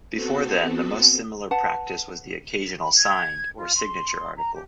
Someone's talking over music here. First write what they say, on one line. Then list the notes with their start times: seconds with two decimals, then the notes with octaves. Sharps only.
Before then, the most similar practice was the occasional "signed" or "signature" article.
0.15 B3 C4 F#4 A4
1.51 B4 F#5 A5
2.79 B5
2.96 G#6
3.57 F4
3.75 C6
4.36 A#5
4.54 G4